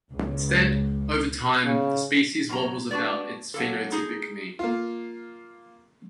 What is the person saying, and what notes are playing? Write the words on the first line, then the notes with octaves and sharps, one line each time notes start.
Instead, over time, the species wobbles about its phenotypic mean.
C#2
C#3
F#2 C#3 A#5
D4 F#4 B4 D5
F#3 A#3 A4
D#4 G#4
A#3 F4